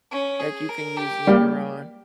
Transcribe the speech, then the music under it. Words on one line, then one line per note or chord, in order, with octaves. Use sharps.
that you can use later on.
C#4
G#4
A#4
G4
G3 A#3